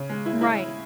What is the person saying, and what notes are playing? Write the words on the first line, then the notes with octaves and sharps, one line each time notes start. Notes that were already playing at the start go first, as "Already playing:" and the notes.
Mm right.
Already playing: C#3
G#3
E4
E4